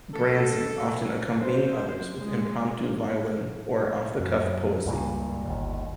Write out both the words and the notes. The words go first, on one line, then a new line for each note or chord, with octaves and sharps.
Branson often accompanying others with impromptu violin or off-the-cuff poesy.
A4
C5
G#3
F#2
C#2 G2 A#2
G1 D#2